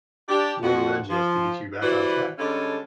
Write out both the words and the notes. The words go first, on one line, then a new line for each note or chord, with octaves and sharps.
little nudges to get you back on track.
D4 G4
F2 F#4
F3
E3 G3 F#4 B4 C5 D5
D3 G3 G#3 C#4 A4